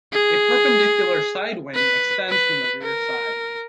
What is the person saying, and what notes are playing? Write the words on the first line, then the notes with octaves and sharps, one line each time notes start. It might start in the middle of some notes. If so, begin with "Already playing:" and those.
A perpendicular side wing extends from the rear side.
G#4
B4
B4
A#4